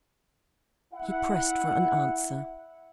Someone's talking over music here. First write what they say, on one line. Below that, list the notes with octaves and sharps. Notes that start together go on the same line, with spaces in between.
He pressed for an answer.
E4 F#5